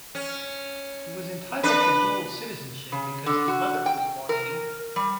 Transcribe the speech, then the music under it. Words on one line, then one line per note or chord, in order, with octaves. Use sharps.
He was entitled to dual citizenship because his mother was born in England.
C#4
D4 B4
C#3
D3
F#4
G5
A#4
G3